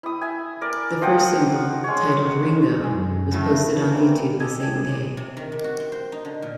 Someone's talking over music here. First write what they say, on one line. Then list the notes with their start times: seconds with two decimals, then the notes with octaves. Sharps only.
The first single, titled "Ringo," was posted on YouTube the same day.
0.03 E4 D#6
0.21 E5 G#5
0.61 A#4 D5
1.01 F3 D#5 F#5 G5
1.84 G#3 C#5
2.79 F#2 G#3 F#4 A4
3.31 A2 C#3 A3
3.76 E3 A#3 C#5
3.95 C4 D4 G5
4.40 G4 A4 D#5 G#5 A5 G#6
4.71 C3 G4 G#4
5.17 C3
5.37 D#3
5.52 C3
5.64 F#4
5.80 C4
5.92 C5
6.12 D#4
6.25 D3
6.42 A#2